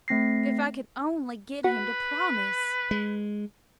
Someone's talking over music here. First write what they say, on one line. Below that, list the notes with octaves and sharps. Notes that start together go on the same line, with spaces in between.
"If I could only get him to promise!"
A3 C4 A#6 C7
F#4 B4
G#3